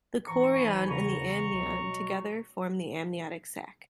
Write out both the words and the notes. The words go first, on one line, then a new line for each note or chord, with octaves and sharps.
The chorion and the amnion together form the amniotic sac.
G#2 E3 A#5 C#6
G#2 E3 G#5 B5
E2 C#3 E3 A#5 C#6
E2 C#3 E3
C#2 B2 F#3
B2 F#3